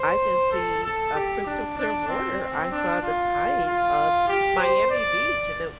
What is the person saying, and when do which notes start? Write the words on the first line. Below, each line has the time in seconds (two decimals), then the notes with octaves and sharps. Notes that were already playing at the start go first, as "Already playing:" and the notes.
I can see a crystal clear water. I saw the tide of Miami Beach and the
Already playing: C5
0.52 A4
0.84 A4
1.15 G4
1.46 D4
1.77 D4
2.08 C4
2.40 C4
2.71 D4
3.02 F4
3.65 F4
4.28 G4
4.59 C5
4.90 D5